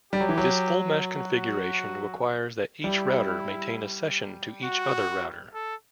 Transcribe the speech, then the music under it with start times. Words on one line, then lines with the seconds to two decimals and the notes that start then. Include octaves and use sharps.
This full-mesh configuration requires that each router maintain a session to every other router.
0.13 G3 G4
0.21 F#3
0.29 E3
0.38 F#3
1.03 F#4
2.83 G3 E4
4.64 F#4
5.54 A4